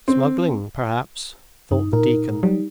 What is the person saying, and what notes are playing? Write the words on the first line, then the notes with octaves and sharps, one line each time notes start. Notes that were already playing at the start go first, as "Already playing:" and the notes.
"Smuggling, perhaps," thought the deacon.
C4
G2 D#4
A#2 D#4 A#4
F#3 G3